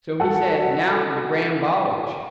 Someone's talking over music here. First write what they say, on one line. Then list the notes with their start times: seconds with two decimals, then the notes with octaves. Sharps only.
So he said, now for the grand bulge!
0.20 F#4 A4 F#5